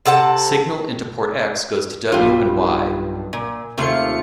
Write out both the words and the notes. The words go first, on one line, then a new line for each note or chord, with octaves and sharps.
Signal into port X goes to W and Y.
C3 A4 F#5 A5
B1 G2 G3 F4
A#2
D#2 C3 A3 F4 C#7